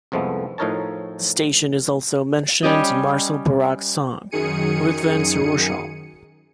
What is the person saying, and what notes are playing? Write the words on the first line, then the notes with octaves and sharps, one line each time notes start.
The station is also mentioned in Marcel Borrack's song "Ruthven to Rushall".
C2 F2 F3 G#3 A3 B3
A2 F3 D#4 A#4 C#5 A5
G3 C#4 G4 D#5
F#2 D#3 G#4 C#7 D#7